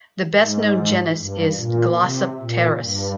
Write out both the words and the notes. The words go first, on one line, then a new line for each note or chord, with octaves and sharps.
The best known genus is "Glossopteris".
G#2
G2
A#2
C3
A#2
G2